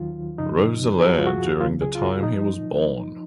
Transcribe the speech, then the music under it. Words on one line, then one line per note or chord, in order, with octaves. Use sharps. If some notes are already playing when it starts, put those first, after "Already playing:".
Roeselare during the time he was born.
Already playing: D#2 D#3 F#3 F4
F#2 C#3 F3 D#4
F#2 F3 G#4
F#4
F4
F#4
C#2 C#3 F#3 F4
G#4
F4
F#4
F3 D#4